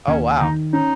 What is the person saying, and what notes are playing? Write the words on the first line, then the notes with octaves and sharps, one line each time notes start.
Oh, wow.
D#2 C#4
D#3 D#4
C#4 D#4